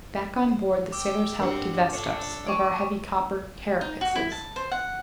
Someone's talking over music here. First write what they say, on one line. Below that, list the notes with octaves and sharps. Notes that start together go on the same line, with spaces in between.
Back on board, the sailors helped divest us of our heavy copper carapaces.
C5
G5 D6 E6
G2 C4 D4 A#4 F#5
C3 D4 F4 A4 C#5
C#5 D5 C#6 D6 D7
D#4
F#4
E4
A5
C5
F#5